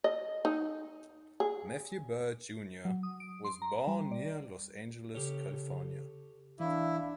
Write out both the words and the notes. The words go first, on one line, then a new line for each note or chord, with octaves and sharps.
Matthew Beard, Junior was born near Los Angeles, California.
D#5
D#4
G#4
F#3
D#6
D7
C6
A#5
G3
D5
C#3 G4 A4 C#5
E3 D4 E4 F5